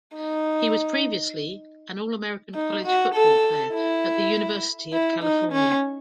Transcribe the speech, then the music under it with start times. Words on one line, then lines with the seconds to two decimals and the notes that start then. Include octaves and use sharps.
He was previously an All-American college football player at the University of California.
0.16 D#4
2.55 D#4
2.85 F#4
3.15 A4
3.74 E4
4.93 E4
5.23 D#4
5.53 C#4